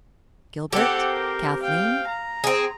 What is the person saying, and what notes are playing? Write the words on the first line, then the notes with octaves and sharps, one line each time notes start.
Gilbert! Kathleen!
C4 G4 A4 F#5
A#4
F5 G5
A#5
C4 G#4